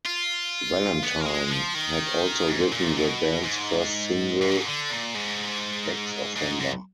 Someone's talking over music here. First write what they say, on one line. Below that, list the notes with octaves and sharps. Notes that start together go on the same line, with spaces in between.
Valentine had also written the band's first single, "X Offender".
F4
B3
A#3
G#3
F3
D#3
G#2
A#2
B2
G#2
G#2
A#2
G#2
D3
A#2
G#2
G#2
F#2